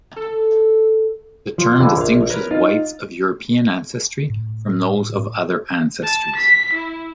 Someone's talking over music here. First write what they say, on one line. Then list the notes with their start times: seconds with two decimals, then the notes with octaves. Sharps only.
The term distinguishes whites of European ancestry from those of other ancestries.
0.16 A4
1.58 F3
1.80 F2 D3 E3
1.97 A#1 F5
2.30 A#4 B4 C#5
2.51 D#4 F4
4.30 A2
6.03 A5
6.36 B6
6.73 E4